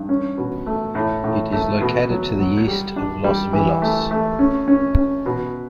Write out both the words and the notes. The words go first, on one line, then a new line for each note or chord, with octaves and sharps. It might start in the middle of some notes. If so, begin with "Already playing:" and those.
It is located to the east of Los Vilos.
Already playing: G2
C#4
B2
A3
A2
A2
A3
B2
F#3
F#3
G3
D4
G3
E3
A3
A3
C#4
C#4
C#4
B2